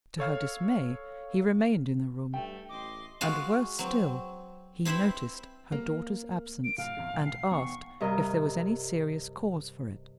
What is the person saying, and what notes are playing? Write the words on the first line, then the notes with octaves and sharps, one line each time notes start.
To her dismay he remained in the room; and, worse still, he noticed her daughter's absence, and asked if there was any serious cause for it.
A4 C#5 F5 F6
G2 A3 G5
A1 D#5 C6 D6
G#3 F4 F#4 F5
F#3 C4
C4 E4 C5 E5 B5
A#3
D7
A2 C3 F5
E2 A2 C3
B1 A2
C7
E1 D#2 B3 C#6
G2 C3 A#4 D#5